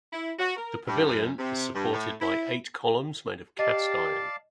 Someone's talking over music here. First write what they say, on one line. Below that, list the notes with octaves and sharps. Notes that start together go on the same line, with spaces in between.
The pavilion is supported by eight columns made of cast iron.
E4
F#4
A#4
G2
F#2
C3
G2
A2
E4
G4 D5 D#5 F5 A5